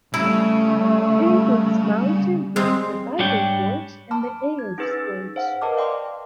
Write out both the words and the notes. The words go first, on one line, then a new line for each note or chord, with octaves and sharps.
It includes Mount Tymfi, the Vikos Gorge and the Aoos Gorge.
C#3 G3 A3 E4
G#3 C4
G#2 G3 D4 C#5 G5
A5 B5 D6 F6
G#6
C#4 D#4 G#4 B4 E6 A6
C5 F5 F#5
A#4 B4 D#5 A5 D6 F6
D5 F5 G5 C6 D6